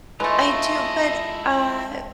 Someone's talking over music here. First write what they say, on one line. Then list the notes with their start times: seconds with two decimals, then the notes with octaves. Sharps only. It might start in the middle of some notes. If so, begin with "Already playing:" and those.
I do, but, uh,
0.20 E3 G#3 A3 E4 F4 D#5